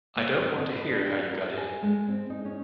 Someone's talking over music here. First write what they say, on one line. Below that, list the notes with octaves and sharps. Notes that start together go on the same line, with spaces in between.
I don't want to hear how you got in.
A#3
C4
D#5
B4
D4
F#4
A#4
G#5
G#3
C4
D#4
C#4